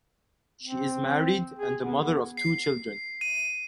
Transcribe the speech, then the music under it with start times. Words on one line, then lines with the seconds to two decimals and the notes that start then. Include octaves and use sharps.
She is married and the mother of two children.
0.63 C4
1.59 G#4
1.82 B3
2.37 C7
3.21 D#7